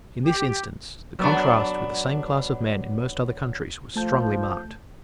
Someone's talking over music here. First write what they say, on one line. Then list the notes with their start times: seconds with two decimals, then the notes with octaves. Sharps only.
In this instance, the contrast with the same class of men in most other countries was strongly marked.
0.25 G4
1.19 F#3 B3 D4
3.96 F3 A3 A5 G6